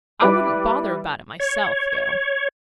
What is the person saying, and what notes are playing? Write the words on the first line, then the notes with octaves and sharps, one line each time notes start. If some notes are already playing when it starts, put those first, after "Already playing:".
I wouldn't bother about it myself, though.
G3 E4 B4 D6 D7
C#5